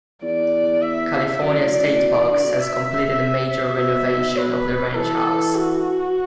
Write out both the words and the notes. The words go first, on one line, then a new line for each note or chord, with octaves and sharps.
California State Parks has completed a major renovation of the ranch house.
E2 D5
E5
F#2 D5
A2
F#2
A2
B2
E3
D3
B2
E5
B2 E5
B4
E3 A4
F#4